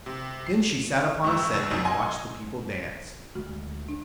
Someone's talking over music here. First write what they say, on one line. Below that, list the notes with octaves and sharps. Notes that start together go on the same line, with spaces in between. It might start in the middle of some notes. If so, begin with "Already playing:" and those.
Then she sat upon a settee and watched the people dance.
C3
C7
G#2 E3 C#6 E6
C#2
F#2 B2 D#4
D#5 G#5 C6
D2 G#3 F#4
D4